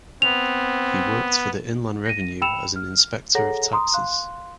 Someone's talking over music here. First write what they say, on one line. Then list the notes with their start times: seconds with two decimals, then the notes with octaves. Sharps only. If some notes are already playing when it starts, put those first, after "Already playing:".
He worked for the Inland Revenue as an inspector of taxes.
0.22 B3 C4 F7
2.06 A#6 D#7
2.42 G5 B5 E6 C#7 E7 F7
2.76 F6
3.35 G#4 A4 C#5 F#5 A#5 A#6
3.72 A#5 C6 D#6
3.94 F5 C6 F#6